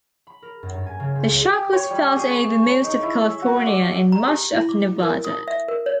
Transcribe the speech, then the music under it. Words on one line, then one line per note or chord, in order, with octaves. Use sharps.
The shock was felt over most of California and much of Nevada.
B5
A#4
F#2
G2
G#5
C#3
C4
C#2
G4
C#5
G3
G#4
C#6
C#5
D#4
E4
E6
F#4
D5
A#5
G4
E4
D6
A#4
D#6
E5
A#4
C#5